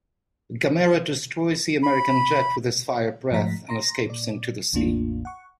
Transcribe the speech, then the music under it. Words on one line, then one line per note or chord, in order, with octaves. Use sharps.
Gamera destroys the American jet with his fire breath and escapes into the sea.
B5
G#2 F3 A3 F#5 A#5 B6
A#5 C6 A#6
A#2 D5
A1 E2 A2 A#3 D4 F4
F#5 C#6